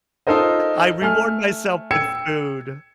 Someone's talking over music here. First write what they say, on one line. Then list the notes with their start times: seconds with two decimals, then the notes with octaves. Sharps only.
I reward myself with food,
0.27 D#4 F4 A4 A#4 C5 D#5
1.02 A3 G#5 F6
1.91 G5 E6 G#6 C#7 E7